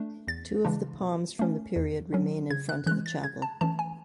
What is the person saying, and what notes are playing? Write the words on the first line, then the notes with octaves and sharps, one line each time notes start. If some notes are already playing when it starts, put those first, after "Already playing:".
Two of the palms from the period remain in front of the chapel.
Already playing: A3 D4
E2 A6
C#3 E3 G#3 D4
B2
A3 C#4
E2
D3 F#3 C#4
C#3 G#6
F#6
E3 G#3 F#6
A6
C#3 G#6
A5
E3 A3 C#4 A5
G#5